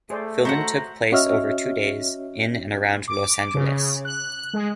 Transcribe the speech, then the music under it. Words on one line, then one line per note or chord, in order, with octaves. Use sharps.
Filming took place over two days in and around Los Angeles.
A3 G#4 C5 D5
F#4 C5 D#5 E5 F#5 A#5 C#6
C#4 F#4 C#5 D#5 E5 F6
D6
C#3
F#6
G#3